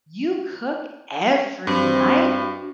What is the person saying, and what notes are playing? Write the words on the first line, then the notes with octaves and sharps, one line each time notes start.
"You cook every night?"
G2 C4 D4 F#4